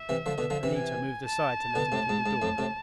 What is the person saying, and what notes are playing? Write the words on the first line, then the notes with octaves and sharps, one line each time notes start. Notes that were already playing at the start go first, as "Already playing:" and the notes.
Anita moved aside to let him through the door.
Already playing: E5
C3 E3
D3 F3
B2 D3
D3 F3
C3 E3
G#5
A5
B2 D3
A2 C3
G#2
G#2
F2 A2
A2 C3